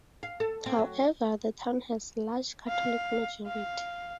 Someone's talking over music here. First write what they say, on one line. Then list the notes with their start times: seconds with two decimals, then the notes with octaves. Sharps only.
However, the town has a large Catholic majority.
0.23 F5
0.40 A4
0.66 C4
0.78 F#3
2.68 F5
3.46 F5